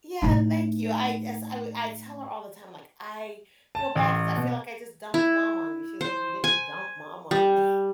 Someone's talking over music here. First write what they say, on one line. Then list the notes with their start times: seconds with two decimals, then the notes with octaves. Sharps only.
Yeah. Thank you. I as I w I tell her all the time, like, I feel bad 'cause I feel, like, "I just dumped mom on you." She was, like, "You didn't dump mom on me."
0.22 A2 D#4
3.75 A5
3.95 A1
4.37 B2
5.14 E4
6.01 C5
6.44 G#5
7.31 G3